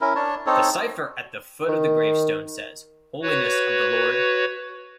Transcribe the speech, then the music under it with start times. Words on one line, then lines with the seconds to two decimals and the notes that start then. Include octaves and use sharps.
The cipher at the foot of the gravestone says "Holiness of the Lord".
0.01 C#4 E4 A#4
0.16 D4 C#5 A5
0.46 C4 D#4 A4 C#5
1.68 D#3
3.22 F#4 B4 C#5